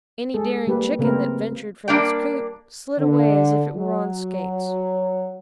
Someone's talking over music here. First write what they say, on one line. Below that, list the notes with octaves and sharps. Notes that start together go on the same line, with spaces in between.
Any daring chicken that ventured from its coop slid away as if it were on skates.
G#3 G#4 A4
G3 A#3 G4 B4
C#3 A3 A#3 C4 A#4 B4
G3 A#3 D4 D5 G5
D3
F#3